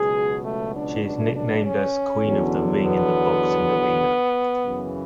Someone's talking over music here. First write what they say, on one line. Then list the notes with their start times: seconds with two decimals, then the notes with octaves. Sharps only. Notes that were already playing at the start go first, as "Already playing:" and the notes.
She is nicknamed as "queen of the ring" in the boxing arena.
Already playing: C#2 B2 F#3 G#4
0.45 A3
0.75 D4
1.05 D4
1.35 D4
1.66 C#4
2.24 E2 D3 F#3
2.85 B3
4.65 F#2 C#3 E3